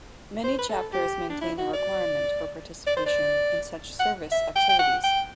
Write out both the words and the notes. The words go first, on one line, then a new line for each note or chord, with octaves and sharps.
Many chapters maintain a requirement for participation in such service activities.
C5
B4
A4
G4
D4
E4
F#4
D5
D5
C5
D5
F#5
E5
G5
G5
F#5
G5